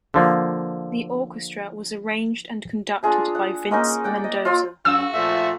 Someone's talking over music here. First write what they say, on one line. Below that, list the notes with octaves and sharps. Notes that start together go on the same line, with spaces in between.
The orchestra was arranged and conducted by Vince Mendoza.
D3 F3 A#3
D4 F4 G#4 A#5
F#5
G#3 A#3 C#4 D#4
D5 F#5 G5
D#5
F4 C#5 C6 E6
F#2 F#4 E6
A#2 F3 A3 E5